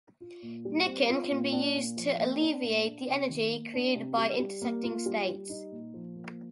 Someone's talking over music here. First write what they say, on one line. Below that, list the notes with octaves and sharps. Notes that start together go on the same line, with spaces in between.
Nicking can be used to alleviate the energy created by intersecting states.
F4
A#2
G3
C4
F4
A#2
D4
A#2
F3
A#3
D4
A#2
D4
C3
D#3
A#3
D4
C3
G3
G3
A#3
F4
G3
G3
D#4
A#2
F3
A#3